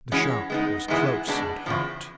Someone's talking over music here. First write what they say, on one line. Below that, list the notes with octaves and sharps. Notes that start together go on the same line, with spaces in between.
The shop was close and hot.
E3 G#3 C#4 F#4
G#3 B3 D#4
G#2 E3 G#3 B3 E4
B2 G#3 B3 D4
E2 C#3 F3